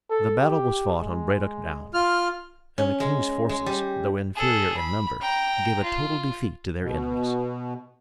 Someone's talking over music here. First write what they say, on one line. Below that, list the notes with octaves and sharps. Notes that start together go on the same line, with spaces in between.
The battle was fought on Bradoc Down; and the king's forces, though inferior in number, gave a total defeat to their enemies.
A4
G4
G#3
F4 F6
C#4
G#3
G#3
G3
G#4 A4
B5
G5 A#5
F4
B2